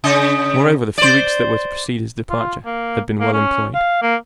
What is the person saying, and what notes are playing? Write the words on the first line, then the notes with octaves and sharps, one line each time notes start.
Moreover, the few weeks that were to precede his departure had been well employed.
C#3 D#5
C5 D5
F4
A#3
A#3
C#4
F5
A#3